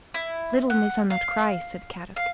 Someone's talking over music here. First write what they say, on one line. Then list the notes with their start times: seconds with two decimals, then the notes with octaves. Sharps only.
"Little Missa not cry," said Kadok.
0.14 E4
0.70 F#5
1.10 F5
2.16 F5